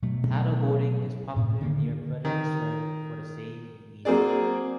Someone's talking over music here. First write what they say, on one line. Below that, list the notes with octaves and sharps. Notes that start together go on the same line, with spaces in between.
Paddleboarding is popular near Frederiksted for the same reason.
B2 F#3 A3
A2 C3
D3 D#3 A#3
D#3
F#3 A#3 C4 G#4 D5